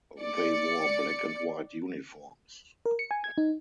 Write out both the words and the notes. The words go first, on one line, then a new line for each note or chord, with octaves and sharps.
They wore black and white uniforms.
D5 C#7
A#4
C#7
G#5
G#6
D#4